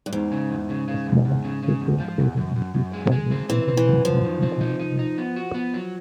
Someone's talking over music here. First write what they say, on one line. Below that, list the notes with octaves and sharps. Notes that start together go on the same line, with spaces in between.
A small, circular crater intrudes slightly into the northwestern part of the rim.
G2
E2 G#2
C#3
E2
C#3
C#3
E2
E2
C#3
C#3
E2
F3
E2
F#2
F#2
F#2
G#3
G#3
C4
E3 C4
C4
E3
F#2
F#2 F3
D#3
C4
D#4
D#4
D#4
B3
F#4
B3
F#3